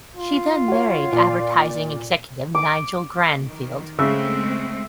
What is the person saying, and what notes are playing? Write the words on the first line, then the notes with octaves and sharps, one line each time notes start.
She then married advertising executive Nigel Grandfield.
F4
F#4 C#5
A#2 D5
D6
D#3
C#3 G#3 A3 C4 E5